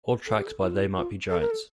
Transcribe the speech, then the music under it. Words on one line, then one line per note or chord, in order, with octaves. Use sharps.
All tracks by They Might Be Giants.
A4
G4
A4
E4
F4
E4
F4
A4
A#4
A4